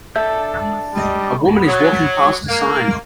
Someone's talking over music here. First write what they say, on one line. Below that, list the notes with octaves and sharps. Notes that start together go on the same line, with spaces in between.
A woman is walking past a sign.
D4 A4 E5 G6
G3 D5 D#5
F#3
A#3